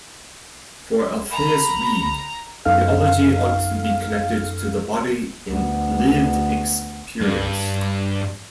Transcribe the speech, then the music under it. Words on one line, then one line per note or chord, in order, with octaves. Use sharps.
For Althaus-Reid, theology ought to be connected to the body and lived experience.
A#5 B5
F#2 B3 D#4 A4 F5 F6
D2 B3
G2